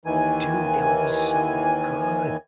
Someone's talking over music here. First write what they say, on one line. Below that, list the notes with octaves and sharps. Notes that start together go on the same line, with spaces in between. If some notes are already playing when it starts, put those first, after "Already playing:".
Dude, that would be so good.
D#2 D#3 E3 G#5